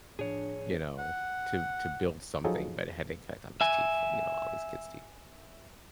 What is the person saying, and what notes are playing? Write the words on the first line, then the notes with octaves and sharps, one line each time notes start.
you know, to to build something, but it had to collect all these teeth from, you know, all these kids teeth.
A2 F3 D4 G#4 C#5
F#5
F3 F#3 D#4 G#4 A4
E5 G#5